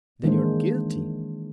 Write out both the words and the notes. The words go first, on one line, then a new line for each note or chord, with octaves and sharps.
"Then you are guilty."
D#3 E3 G#3 A#3 D4 C5